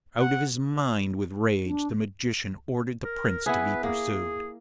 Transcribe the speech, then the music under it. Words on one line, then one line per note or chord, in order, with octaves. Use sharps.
Out of his mind with rage, the Magician ordered the Prince to be pursued.
F#5
D4
A#4
B3 E4 G#4 B4
A#3 G#4